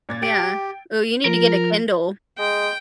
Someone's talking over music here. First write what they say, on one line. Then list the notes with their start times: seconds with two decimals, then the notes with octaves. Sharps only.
Yeah, ooh, you need to get a Kindle.
0.09 A#2 G#6 A6
0.22 G4 G5 A6 D7
1.26 F3 A#4
2.39 G#3 G5